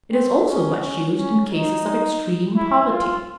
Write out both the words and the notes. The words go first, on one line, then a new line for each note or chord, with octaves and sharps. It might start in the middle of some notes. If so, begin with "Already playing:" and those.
It is also much used in cases of extreme poverty.
C4
C#4
C#4
C#4
D#4
E4
F4